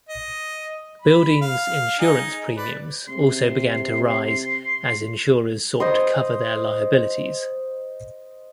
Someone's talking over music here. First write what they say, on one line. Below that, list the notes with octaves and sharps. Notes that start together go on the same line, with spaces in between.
Buildings insurance premiums also began to rise as insurers sought to cover their liabilities.
D#5
B5
F5
D#4 G#4
B4 D5
C3 C6
C5 D#5 C6